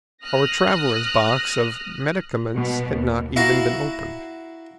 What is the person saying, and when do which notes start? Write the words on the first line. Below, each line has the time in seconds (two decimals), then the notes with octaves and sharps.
Our traveler's box of medicaments had not even been opened.
0.23 D#6 F6 F#6 A#6
2.55 B2
2.89 D#2
3.36 E4 F#4 F5 A#5